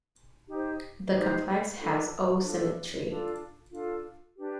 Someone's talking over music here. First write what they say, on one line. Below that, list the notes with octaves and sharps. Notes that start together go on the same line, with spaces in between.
The complex has O symmetry.
D#4 G4 C5
D#4 G4 C5
D4 F4 A4
D4 F4 A4
D4 F4 A4
D4 F4 A4
D4 G4 B4